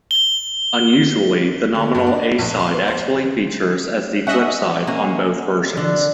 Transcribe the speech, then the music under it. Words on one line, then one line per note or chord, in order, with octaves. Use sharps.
Unusually, the nominal a-side actually features as the flipside on both versions.
G7
D3
G2
D4
A#1
C6
B3
C5
C#4 D#5 E5 F#5
A#3 C#4
D3